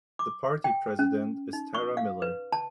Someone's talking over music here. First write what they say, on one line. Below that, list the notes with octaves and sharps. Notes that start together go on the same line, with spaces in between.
The party president is Tara Miller.
D6
G5
C#4
D#4
C#6
F5
B4
A5